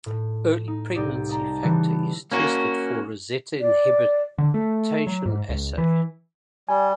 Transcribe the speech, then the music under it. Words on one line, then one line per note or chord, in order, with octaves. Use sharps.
Early pregnancy factor is tested for rosette inhibition assay.
A2
D#4
C2 D#4 G4 D5
D#5 G5 A5 A#5
C#3 E3 G3 B3
A#3 C#4 F#4
D5
D3
A3
F#3
G#2
C#2
E3
G3 G#5